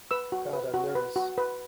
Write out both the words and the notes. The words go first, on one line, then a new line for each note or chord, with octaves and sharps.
God, I'm nervous!
B4 E6
F#4
B4
F#4
B4
F#4
B4